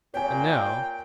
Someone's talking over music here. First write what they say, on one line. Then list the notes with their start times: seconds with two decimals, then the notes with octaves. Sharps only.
And, now!
0.14 A#2 C#5 G5 G#5